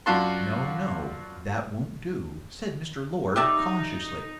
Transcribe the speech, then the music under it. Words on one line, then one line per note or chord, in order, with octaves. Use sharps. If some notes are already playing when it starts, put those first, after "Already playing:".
"No, no, that won't do," said Mr. Lord, cautiously.
F#2 D4 F4 F#4 A5 C6
D#4 G4 D5 E5